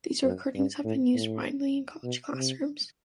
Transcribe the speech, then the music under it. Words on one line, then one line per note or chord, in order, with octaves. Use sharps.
These recordings have been used widely in college classrooms.
F#2
G2
A2
A2
B2
C3